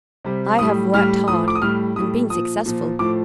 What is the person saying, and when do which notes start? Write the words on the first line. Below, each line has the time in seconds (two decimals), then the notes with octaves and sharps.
I have worked hard and been successful.
0.25 C3 G3
0.59 A2 G3 D#6
0.93 A2 G3 F6
1.28 A2 F3 D#6
1.48 D6
1.55 D#6
1.62 A2 G3 F6
1.96 A2 G3 D#6
2.30 A#2 F3 D#6
2.66 A#2 F3
2.99 A2 F3 D6